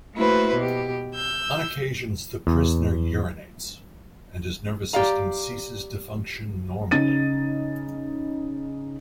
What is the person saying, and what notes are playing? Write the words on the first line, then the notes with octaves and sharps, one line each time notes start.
On occasions the prisoner urinates, and his nervous system ceases to function normally'.
A3 A#3 E4 F#4 B4 C5
B2 G4
E6 G6
E2
G4 D5 F5 A#5
C#3 D#4 A6 D#7